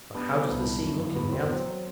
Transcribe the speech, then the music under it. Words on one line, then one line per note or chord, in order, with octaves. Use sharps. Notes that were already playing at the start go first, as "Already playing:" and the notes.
But how does the sea look in reality?
G3 B3 D4
C3
C2 B3 D4
E3
F#2
G1
E2 B3
B2 C4
F#3 C4
F#3